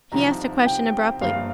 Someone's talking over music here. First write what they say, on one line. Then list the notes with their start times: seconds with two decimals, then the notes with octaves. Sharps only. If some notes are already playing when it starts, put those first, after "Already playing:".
He asked a question abruptly.
0.12 C2 C3 F3 D#4 A#5
0.66 G5
1.21 G1 G2 F3 A#3 F4 F5